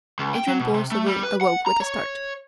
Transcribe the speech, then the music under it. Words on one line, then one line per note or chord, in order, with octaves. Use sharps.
Adrian Borlsover awoke with a start.
C#2
G5
F#3
B2
C3
A3
G3
B4
F#5
A#5
C#5